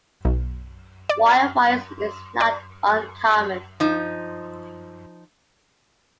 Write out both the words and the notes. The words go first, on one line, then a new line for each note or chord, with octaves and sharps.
Wildfire is not uncommon.
B1
D5
D5
F3 D#4